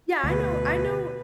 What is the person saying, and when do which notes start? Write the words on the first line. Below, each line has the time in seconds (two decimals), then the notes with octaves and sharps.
Yeah, I know I know
0.23 D2 B2 B4